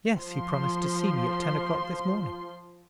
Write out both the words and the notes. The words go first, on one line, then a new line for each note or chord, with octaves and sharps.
"Yes, he promised to see me at ten o'clock this morning."
F3 C6